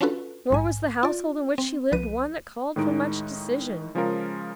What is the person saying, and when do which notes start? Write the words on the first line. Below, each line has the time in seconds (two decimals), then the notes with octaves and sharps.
Nor was the household in which she lived one that called for much decision.
0.01 C#4 D4 F4 F#4 A4 B4
0.50 A#1 G#2 G#5
1.03 F4 D5
1.58 C4
1.92 C2 F3 B4 D#7
2.76 A2 D#3 G#3 D#4 D7
3.95 C#3 F3 G#3 C#4 F4 A#4